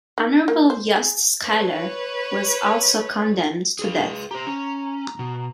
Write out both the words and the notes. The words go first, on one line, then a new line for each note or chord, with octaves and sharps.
Honorable Yost Schuyler was also condemned to death.
D#3
A#3
C5
G#4
B4 C#5
G#4 B4 F5
G4 C5 A#5
C#4
B2